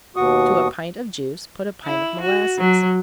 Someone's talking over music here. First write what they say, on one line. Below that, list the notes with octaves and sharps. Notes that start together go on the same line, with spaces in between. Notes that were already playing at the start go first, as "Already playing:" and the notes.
To a pint of juice, put a pint of molasses.
D#2 B2 F#4 C#6 D#6
E4
F#4
F#3